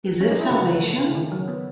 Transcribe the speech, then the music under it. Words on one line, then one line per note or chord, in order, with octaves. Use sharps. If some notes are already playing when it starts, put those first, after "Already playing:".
Is it salvation?
C#4
D#4
E4
C#3 F#4
E3
A3
C#3
D#3
F#3
B3